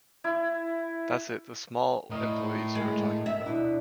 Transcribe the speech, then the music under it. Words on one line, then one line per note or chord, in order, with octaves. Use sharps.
That’s it, the small employees you are talking about.
E4
A2 A#4 D#5
D#3 G#3
E5
B2 D4 E4